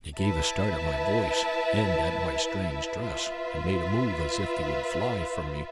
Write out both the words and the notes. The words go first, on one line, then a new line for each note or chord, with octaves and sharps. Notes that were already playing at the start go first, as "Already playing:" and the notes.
They gave a start at my voice and at my strange dress, and made a move as if they would fly from me.
E4 B4 E5 A5
F4 B4 E5